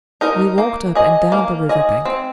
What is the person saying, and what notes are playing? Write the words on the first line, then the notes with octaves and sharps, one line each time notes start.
We walked up and down the river-bank.
D#4 A#4 D#5
A#3
G#4 D#5
A#3
G#4 D#5
C4